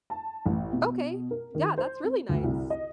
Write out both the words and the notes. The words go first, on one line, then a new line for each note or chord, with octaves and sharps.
Okay. Yeah, that's really nice.
A5
A1
B2
A#4
D#3
C5
C4
D2
C2
D#5